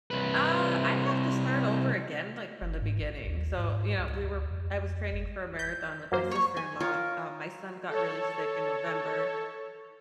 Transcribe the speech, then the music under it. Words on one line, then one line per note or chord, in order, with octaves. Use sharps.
Uh, I have to start over again, like, from the beginning, so, you know, we were I was training for a marathon with my sister-in-law, uh, my son got really sick in November,
C2 B4
F#1
G#2
A1
D#2
G#2
C#2
D2
F2
G#1
G6
F#2 A#3 C5
C#5 C#6
G#5
F4 A#4 C#5
A4 C#5